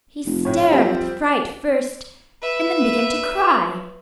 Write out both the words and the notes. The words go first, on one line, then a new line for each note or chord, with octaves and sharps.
He stared with fright first, and then began to cry.
F1
A2 C#5
F2 G3 C4
B4 E5